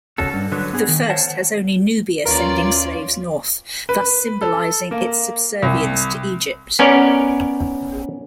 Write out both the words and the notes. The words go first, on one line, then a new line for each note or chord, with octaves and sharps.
The first has only Nubia sending slaves north, thus symbolizing its subservience to Egypt.
C#4 F#4 A4
G2
D3 F#3 B4
B3 G#4
D#3
C5 C#5 F5 F#5 A5
D#2 C#4 F4 A#4 B4 D5
B4
A4
A#3
C2
B3 C#4 A#4 C#5 D5